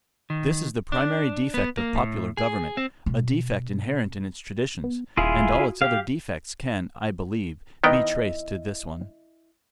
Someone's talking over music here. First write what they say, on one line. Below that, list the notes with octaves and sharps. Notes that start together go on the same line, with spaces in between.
This is the primary defect of popular government, a defect inherent in its traditions, and all its other defects can, I believe, be traced to this one.
D#3
D4
B3
A#3
A2
G#4
C4
B2
B3
D#1 E4 F4 G#4
F#4
G4 F5
D#3 B3 E4 D#5 G5